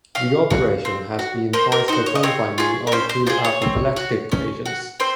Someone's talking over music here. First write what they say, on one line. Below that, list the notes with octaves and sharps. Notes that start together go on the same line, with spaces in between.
The operation has been twice performed by me on two apoplectic patients.
C#4 F5
F#4
C4
F#4
A#3 C5
A#4
D#4 F#4 C5
C#5
D#5
C4 C#5
F4 G#4
A#4
C#4 C5
C5
F4 G#4 C5
C#5
C4
F#4
C#4
F#4
C4 C5